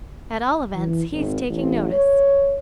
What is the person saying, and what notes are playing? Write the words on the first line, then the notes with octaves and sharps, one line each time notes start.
"At all events, he's taking notice."
E3
G#1
A1
C#5